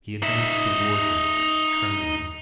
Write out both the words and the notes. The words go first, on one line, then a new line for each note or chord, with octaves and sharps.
He advanced towards it trembling.
D#4 E5